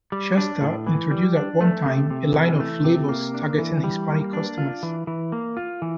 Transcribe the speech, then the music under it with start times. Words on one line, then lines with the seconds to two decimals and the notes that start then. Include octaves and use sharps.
Shasta introduced at one time a line of flavors targeting Hispanic customers.
0.12 G3
0.37 D4
0.61 A2
0.87 E3
1.11 G3
1.36 D4
1.61 A3
1.86 C3
2.10 C3
2.35 E3
2.60 A3
2.85 C3
3.09 A#3
3.34 D4
3.58 E3
3.84 G3
4.09 A#3
4.33 D4
4.58 F4
4.83 E3
5.07 E3
5.32 A#3
5.57 F4
5.82 E3